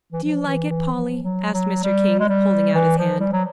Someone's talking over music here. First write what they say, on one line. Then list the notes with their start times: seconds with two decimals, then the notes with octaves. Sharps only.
"Do you like it, Polly?" asked Mr. King, holding out his hand.
0.12 E3
0.24 F3
0.47 E3
0.70 E3
0.92 F3
1.23 F#3
1.53 F#3
1.84 G3
2.20 G#3
2.29 G3
2.74 E3
2.98 F3
3.20 G3
3.33 F#3